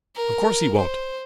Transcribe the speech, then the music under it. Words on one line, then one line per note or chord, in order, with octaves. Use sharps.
Of course he won't.
A#4
C5